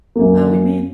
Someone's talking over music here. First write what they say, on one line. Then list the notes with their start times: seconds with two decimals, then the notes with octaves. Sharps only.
uh, we made
0.16 F#2 A#3